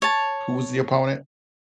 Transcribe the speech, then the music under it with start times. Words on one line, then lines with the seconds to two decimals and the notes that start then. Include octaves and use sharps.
who was the opponent?
0.02 C#5 A5